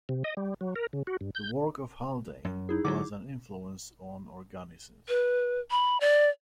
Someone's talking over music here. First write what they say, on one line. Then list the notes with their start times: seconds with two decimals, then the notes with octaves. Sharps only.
The work of Haldane was an influence on organicism.
0.09 C3
0.24 D#5
0.37 G3
0.61 F#3
0.76 A#4
0.93 C#3
1.07 F#4
1.21 G2
1.35 G6
2.44 F#2
2.69 D#4 E4 G#4
2.85 D3 D#3 F#3 D6
5.09 B4
5.71 B5
6.01 D5